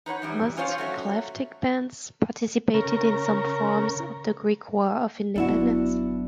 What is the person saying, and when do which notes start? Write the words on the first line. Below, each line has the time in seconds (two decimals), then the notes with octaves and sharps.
Most klephtic bands participated in some form in the Greek War of Independence.
0.06 D#4 B4 C#5 F#5
0.22 F#2 E3 G3
0.57 C#4 F4 C5 C#5 F5
0.78 F#3 A3 C#4
2.74 C#3 A#4
5.36 G1 F#3 B3 D4 E4 F#4